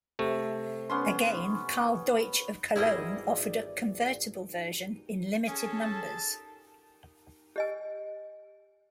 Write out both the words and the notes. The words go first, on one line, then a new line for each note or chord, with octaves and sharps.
Again, Karl Deutsch of Cologne offered a convertible version in limited numbers.
C3 A3
B3 C#4 C6
G#1 E2 G3 E4 G#4 D5 D#5
C#4 G#4 A4
A5
G4 D#5 G#5